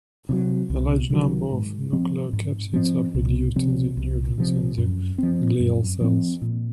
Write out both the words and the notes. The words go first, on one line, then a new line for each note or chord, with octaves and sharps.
A large number of nucleocapsids are produced in the neurons and the glial cells.
C3 D#3 F#3
C2
C3 D#3 F#3
G#2
F3 C4
G#2
F3 C4
C2
C3 F3 C4
C2
C3 F3 C4
F#2
F3 C4
F#2
F3 C4
A#2